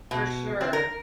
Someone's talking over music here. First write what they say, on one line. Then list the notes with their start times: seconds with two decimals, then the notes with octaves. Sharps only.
For sure.
0.11 B2
0.61 C4
0.73 A#4